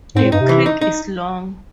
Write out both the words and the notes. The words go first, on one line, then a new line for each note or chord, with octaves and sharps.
The creek is long.
G#2 C4
A2
G2 D#4
C3
E3
D#4
D#4